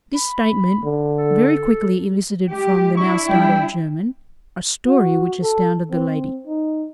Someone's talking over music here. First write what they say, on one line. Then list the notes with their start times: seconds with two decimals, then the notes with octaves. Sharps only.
This statement very quickly elicited from the now startled German a story which astounded the lady.
0.14 B5
0.84 D3
1.16 A4
2.50 G#3 G4
2.97 D4 E4 C#6
3.29 G3 G5
4.87 F#4
5.42 A4
5.91 C4
6.47 D#4